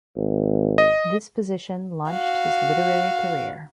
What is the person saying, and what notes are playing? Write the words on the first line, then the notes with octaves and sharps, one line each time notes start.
This position launched his literary career.
G#1
D#5
F#4 F5